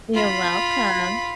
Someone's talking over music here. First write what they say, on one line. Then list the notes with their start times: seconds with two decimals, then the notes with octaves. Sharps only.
You're welcome!
0.14 F4 B5